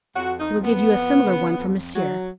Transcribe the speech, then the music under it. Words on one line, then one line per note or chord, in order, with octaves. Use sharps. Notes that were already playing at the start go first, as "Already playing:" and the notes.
"He will give you a similar one for Monsieur."
F2 F#4
D#4
F2
B3
F2
C#3
F2
F#3